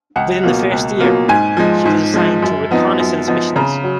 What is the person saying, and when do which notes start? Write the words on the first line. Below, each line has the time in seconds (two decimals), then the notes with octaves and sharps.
Within the first year, she was assigned to reconnaissance missions.
0.16 C#2 F#5
0.43 B2 F#3 A#3 F4
0.72 C#2
1.00 B2 F#3 A#3 F4
1.28 G#2 G#5
1.57 F3 G#3
1.86 G#2
2.14 F3 G#3
2.42 F#2
2.71 F3 B3 D#4
3.00 F#2
3.28 F3 B3 D#4
3.56 C#3 A#5
3.84 F#3